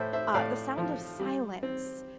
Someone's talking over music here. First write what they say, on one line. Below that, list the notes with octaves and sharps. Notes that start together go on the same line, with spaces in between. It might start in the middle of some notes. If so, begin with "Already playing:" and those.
uh, The Sound of Silence.
Already playing: A2 C5 E5
C5 E5
A2 D5 F5
F3
G3
C4